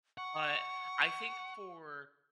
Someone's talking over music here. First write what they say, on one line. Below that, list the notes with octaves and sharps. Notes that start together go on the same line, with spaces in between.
but I think for
F#5 C#6